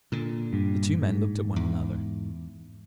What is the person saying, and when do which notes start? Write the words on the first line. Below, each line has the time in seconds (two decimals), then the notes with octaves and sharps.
The two men looked at one another.
0.12 A#2 D3
0.53 G2
1.02 G#2
1.56 E2